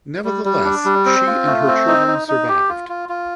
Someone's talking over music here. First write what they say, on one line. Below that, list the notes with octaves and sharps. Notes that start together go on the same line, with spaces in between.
Nevertheless she and her children survived.
G3
G3
D4
G3
C4
F4
A3
C4
D#4
D#4
D#4
G4
F4
F4
F4